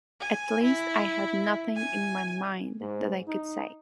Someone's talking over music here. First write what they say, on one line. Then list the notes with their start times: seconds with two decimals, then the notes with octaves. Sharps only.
At least I had nothing in my mind that I could say.
0.21 G#5
0.63 E4
1.76 G#5
2.81 G#2
3.28 D#4